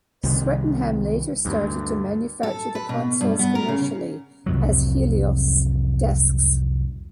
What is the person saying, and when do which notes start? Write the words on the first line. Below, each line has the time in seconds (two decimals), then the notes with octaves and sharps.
Swettenham later started to manufacture the consoles commercially as Helios desks.
0.23 C2 C3 D#3
1.45 D2 G2
2.43 A4
2.75 B4
2.89 B2
3.21 G2
3.39 B3
3.55 A#4
3.68 C#3
4.46 C2 F2 F#3